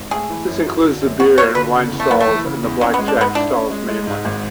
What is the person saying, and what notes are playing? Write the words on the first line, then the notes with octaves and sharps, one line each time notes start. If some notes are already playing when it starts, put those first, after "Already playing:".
This includes the beer and wine stalls and the blackjack stalls mainly.
Already playing: G#1
A3 G#4
E3
F#2
F#3
D3
F#2
B3 F#4
F#3 C#5
D3 B4
C#3
E2
A3
F#1 B3
A3
E3
C#3
E2
F#3 C#4
B3
G#3
D4
G#2 B3
D4 E4
C#4
G#3
G#3
G#2
G#1